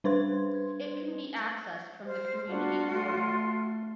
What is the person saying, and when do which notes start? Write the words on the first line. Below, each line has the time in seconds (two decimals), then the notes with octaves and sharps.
It can be accessed from the Community Portal.
0.04 G3 D4 B4 C5 C6 G#6
2.06 C5 F6
2.48 G3 D4 F4 F#4
2.95 A3 C6